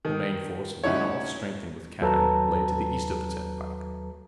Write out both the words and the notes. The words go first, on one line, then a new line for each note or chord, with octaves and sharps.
The main force of the North, strengthened with cannon, lay to the east of the turnpike.
D#3
D2 C#4 D#4 E4 C#5
D#2 F#3 A4 B4 A5 A#5